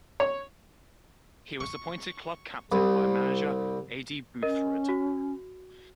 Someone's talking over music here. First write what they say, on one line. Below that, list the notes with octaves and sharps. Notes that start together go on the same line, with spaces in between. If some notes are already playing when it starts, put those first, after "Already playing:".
He was appointed club captain by manager Aidy Boothroyd.
C#5
C#6
C2
C#4 A#4 D#5
F#4